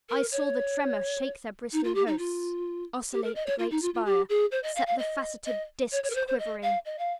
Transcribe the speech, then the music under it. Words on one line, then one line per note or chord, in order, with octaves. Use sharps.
I saw the tremor shake their bristling hosts, oscillate the great spire, set the faceted disks quivering.
A#4
C#5
D#4
F4
G4
D#4
F4
G4
A#4
D#5
C#5
F4
D#4
F4
F4
G4
G#4
C5
D#5
F5
F5
D#5
D#5
C#5
C#5
A#4
C5
C5
D#5
F5
D#5
F5